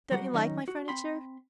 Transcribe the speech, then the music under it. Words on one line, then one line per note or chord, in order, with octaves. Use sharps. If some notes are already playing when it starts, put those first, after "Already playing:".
Don't you like my furniture?
F#3 G3 F#4 C5 F#5
D#3 F#3 C#4 D#4
F#4
C4 B5 C6